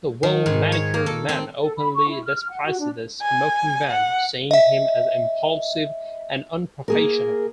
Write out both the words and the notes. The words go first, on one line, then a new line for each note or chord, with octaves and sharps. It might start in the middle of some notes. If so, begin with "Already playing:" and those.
The Well-Manicured Man openly despises The Smoking Man, seeing him as impulsive and unprofessional.
D#3
G#2
C#5
A#3
A4
C4
A4
B5
C#6
E4
F6
F6
F#5
F#4
D4
G#5
F#5
D#5 E5
A#3 G#4 A#4